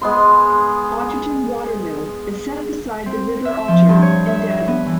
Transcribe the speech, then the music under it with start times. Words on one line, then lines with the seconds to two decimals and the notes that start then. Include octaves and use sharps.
Otterton Water Mill is set beside the River Otter in Devon.
0.02 G#3 B3 C6
3.06 C4
3.45 E5
3.68 F3
3.89 G2
4.02 C#5
4.27 E5
4.68 B3
4.87 E3